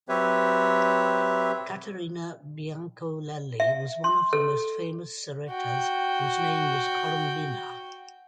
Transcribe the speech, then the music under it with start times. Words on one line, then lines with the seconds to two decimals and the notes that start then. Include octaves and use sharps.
Caterina Biancolelli was one of the most famous serettas whose name was Colombina.
0.09 F#3 C4 G4 B4 C#5 E5
3.60 E5
4.04 C6
4.33 A4
5.49 F#4 G5